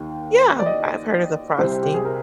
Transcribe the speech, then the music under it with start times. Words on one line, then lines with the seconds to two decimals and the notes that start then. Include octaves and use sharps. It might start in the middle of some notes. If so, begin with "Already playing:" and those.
Yeah, I've heard of the frosty.
Already playing: D#2 D#3 A#3
0.59 D5
0.66 D#5
1.59 C2 C3 G3 C4 C5
1.83 G4
1.94 G#4
2.05 A#4